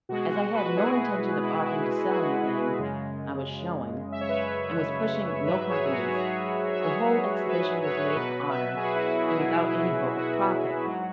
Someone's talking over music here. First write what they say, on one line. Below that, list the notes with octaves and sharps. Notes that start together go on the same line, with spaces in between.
As I had no intention of offering to sell anything I was showing, and was pushing no companies, the whole exhibition was made for honor, and without any hope of profit.
B2 G#3 F#4
F#4
F#4 B4
F#4
E4 G#4
E4
E4
F#4
F#2 C#3 G#3
E5
C#5
B4 E5
G#2 F#3 B4 E5
G#4 C#5
G#4
F#4 B4
G#4 C#5
E5
G#4 C#5
B4 E5
C#5
B4
G#4 C#5
B2 F#3 F#4 B4
B4 E5
G#4
F#4 B4
E4
F#4
E4 G#4
E4
E4
F#4
G#2 F#3